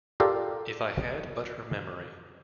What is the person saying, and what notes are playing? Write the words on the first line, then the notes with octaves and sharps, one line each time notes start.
If I had but her memory!
F4 G4 A4 A#4 D5 F5